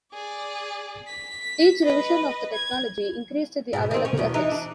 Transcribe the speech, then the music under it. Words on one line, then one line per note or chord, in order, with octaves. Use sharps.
Each revision of the technology increased the available effects.
G#4 D5
B6
B4 D#5
G#6
G#2 B2
D#3 C4
C#4
E2 B2
E3 D#4
D4